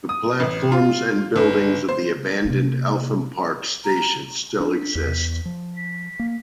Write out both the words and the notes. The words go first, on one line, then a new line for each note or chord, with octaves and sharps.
The platforms and buildings of the abandoned Eltham Park station still exist.
D#6
A1
F4
G1
C5
C3 A#3
A#5
D4
E2
F3
A#3